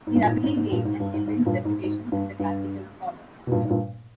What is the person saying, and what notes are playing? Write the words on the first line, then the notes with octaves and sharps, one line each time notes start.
He rapidly gained an immense reputation as a classical scholar.
G#2
G2
A#2
G#2
G#2
G#2
G2 A#2
G#2
G2
G#2
G#2
G2 A#2
G#2
G#2
G2
G2
B2
G2 A#2
G#2
G2 A#2